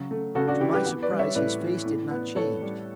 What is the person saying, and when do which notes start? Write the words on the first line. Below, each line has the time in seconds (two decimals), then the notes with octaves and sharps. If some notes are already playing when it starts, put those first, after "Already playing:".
To my surprise his face did not change.
Already playing: C#3 F#3
0.11 A3
0.35 C#3 F#4 A4
0.48 D4 F#4
0.60 E3 E4 G4
0.73 G4 B4
0.86 B3
1.02 B4 D5
1.10 G3
1.19 C#5 E5
1.35 A2 B4 D5
1.61 E3
1.86 A2
2.11 B3
2.35 A2 A4 C#5
2.61 G3